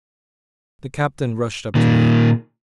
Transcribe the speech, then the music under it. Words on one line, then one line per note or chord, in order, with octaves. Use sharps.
The captain rushed up to her.
A#2 D#3